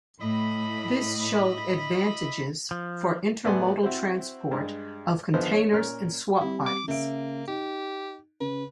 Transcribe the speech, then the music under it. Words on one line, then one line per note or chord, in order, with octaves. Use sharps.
This showed advantages for intermodal transport of containers and swap bodies.
A2 E4 D#5 B5
F3
A2 B3 D5 F#5 G#5 C6
C4 E4 F#4 C5
G2 G#3
G#1 D3 F3 B3 C5
C#5
A#2 C#4 A#4 F6
G3 C4 E4
D6
C#3 A#3 E5 D7
D#4 G4
C#3 B4